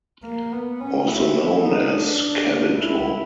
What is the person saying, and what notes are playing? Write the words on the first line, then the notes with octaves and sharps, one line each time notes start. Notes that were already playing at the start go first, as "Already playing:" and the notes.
Also known as: Calito.
A#3
B3
C#4
E4
D#4
D4
E4